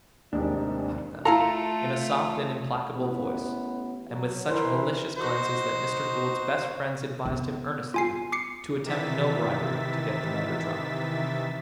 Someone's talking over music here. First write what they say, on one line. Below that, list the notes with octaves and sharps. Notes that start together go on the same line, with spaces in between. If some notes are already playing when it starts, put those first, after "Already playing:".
Marta, in a soft and implacable voice, and with such malicious glances that Mr. Gould's best friends advised him earnestly to attempt no bribery to get the matter dropped.
A1 D#2 G#2 C3 D4 D#4 G4 A#4
A3 E4 F4 A4 F5 A#5 C6
A1 B3
F#3
E3 E4 A#4 C5
D#4 F#4 C5
B3
F4 G#5 C7
D6 C7 C#7
C3 D#3 E3 E5 A6 B6